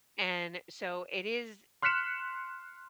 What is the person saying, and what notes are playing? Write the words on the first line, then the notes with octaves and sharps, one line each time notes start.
and, so, it is
C6 F6 F#6 B6 C#7 E7